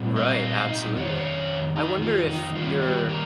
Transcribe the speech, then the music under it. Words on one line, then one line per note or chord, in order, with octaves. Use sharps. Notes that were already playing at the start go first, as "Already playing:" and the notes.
Right, absolutely, I wonder if your
Already playing: A#2 G3 C4
D#5
F5
D#5
F5
D#4 D#5
F2 D#3 C#5
C5
C#4 C#5
D#4 D#5
F4
D#4
G2 D#3 A#3 C#4 F4
G3 G4
A#3 A#4